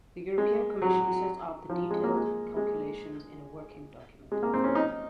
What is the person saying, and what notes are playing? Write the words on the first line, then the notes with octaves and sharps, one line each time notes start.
The European Commission sets out the detailed calculations in a working document.
G#3
F#3
F3
G#3
A#3
G#3
G#3
G#3
A#3
C4
C#4
D#4